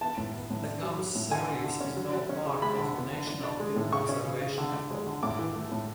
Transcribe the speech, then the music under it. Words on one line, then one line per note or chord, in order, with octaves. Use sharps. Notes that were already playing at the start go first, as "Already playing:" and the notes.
The Gumps series is now part of the National Film preservation effort.
B3 A5
A2
B3
A2
D4
F#3
F#3
A2
D3 G#5
D3
D3
C#4
F#3
F#3
C#4
C#3
G#3 B5
D3
B3
D3
D4
D4
G#3
A2
C#3 C#6
C#4
C#3
C#3
D3
D3
G#3
D3
A2 D6
E3
A3
A2